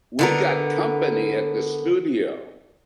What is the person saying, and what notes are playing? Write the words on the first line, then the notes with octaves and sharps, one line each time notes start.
We got company at the studio!
D3 B3 A#4